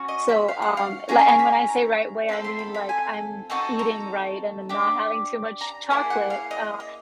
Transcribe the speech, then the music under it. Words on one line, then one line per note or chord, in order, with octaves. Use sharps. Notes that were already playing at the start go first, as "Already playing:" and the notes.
So, um, li and when I say right way, I mean, like, I'm eating right and n not having too much chocolate, uh,
Already playing: C#4 F#4
D#5
E5
F5
F#5
F5
C#4 E4 G#4 A#5
A5
A#5
B5
A#5
C4 F4 A4 B5
C6
B5
B5
G#5
C4 D#4 F#4 A4 A5
A#5
D4 G4
A#5
A#3 C#4 E4 G#4 A5
F#5
F5
D#5
D#5